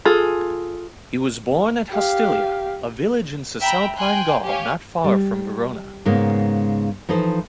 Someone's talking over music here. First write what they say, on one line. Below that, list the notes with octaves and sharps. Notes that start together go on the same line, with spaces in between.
He was born at Hostilia, a village in Cisalpine Gaul not far from Verona.
F4 G#4 A4
G4 F5
E5 G5 A#5 B5
G5 G#5 C6 F#6
G4 C#5 F5 G#5
G3
G#2 C#3 G#3 A#3 B3
E3 F3 D#4 A4 C5